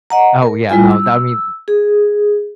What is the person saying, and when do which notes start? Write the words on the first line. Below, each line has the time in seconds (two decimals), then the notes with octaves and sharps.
Oh, yeah, no, that mean
0.10 D#5 F#5 A#5
0.42 A#4
0.69 G3 E4 F4 G#5
0.91 E6
1.68 G#4